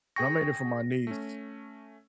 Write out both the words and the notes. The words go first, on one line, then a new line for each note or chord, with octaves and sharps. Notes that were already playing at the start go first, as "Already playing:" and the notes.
and I made it for my niece,
G#4 G5 C#6 A#6
A3 C#4